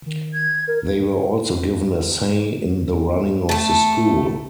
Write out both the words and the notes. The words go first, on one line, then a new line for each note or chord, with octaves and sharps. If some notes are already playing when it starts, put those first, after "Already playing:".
They were also given a say in the running of the school.
D#3
G#6
A#4
A3 A5